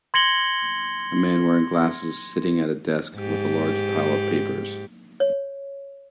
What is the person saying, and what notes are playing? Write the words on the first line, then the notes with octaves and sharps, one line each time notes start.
A man wearing glasses sitting at a desk with a large pile of papers.
C6 G#6 A#6 C#7 F#7 G7
G#2 G4
C#5